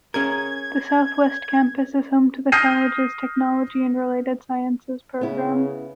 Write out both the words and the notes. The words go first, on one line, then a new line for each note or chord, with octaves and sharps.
The Southwest Campus is home to the college's Technology and Related Sciences program.
C#4 G#4 A#4 G#6
D#6 F6 G6 A#6 C7 D#7
C#3 B3 E4